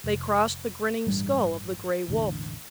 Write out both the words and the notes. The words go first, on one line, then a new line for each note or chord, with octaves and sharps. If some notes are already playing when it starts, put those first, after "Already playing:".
They crossed the grinning skull of the gray wolf.
F1
A1 G2 G3
E1 A1 A2 D3